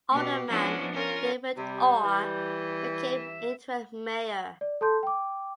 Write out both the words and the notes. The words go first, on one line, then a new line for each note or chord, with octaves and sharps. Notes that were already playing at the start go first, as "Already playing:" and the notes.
Alderman David Orr became interim Mayor.
B2 G4
F3 B3 C#4 D4 E4 F#4
C#4 F4 A#4
C3 G3
E3
E5
D5
A4 A5 C6 G6
G5 D6